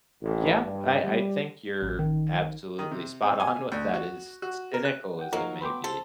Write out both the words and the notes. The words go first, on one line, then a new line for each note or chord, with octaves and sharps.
Yeah, I I think you're absolutely spot on with that, as cynical as it may be.
A1
G2
G3
A1
D#3
D#3
C3
C4
G#5
D2
F#4
F#4
A#4
F#6
F#5 G5
F3 F#3 A#3 D#4 A#4 F5
B3 G5 B5 C6 D6
A4 C5